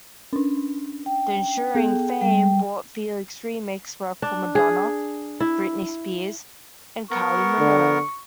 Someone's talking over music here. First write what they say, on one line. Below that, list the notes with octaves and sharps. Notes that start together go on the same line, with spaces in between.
The ensuing fame brought Felix remix work for Madonna, Britney Spears and Kylie Minogue.
C#4 D4
G5
B3 G#4 A4
G3 G5
D4
G#4
E4
B3 A#4 C#6
D3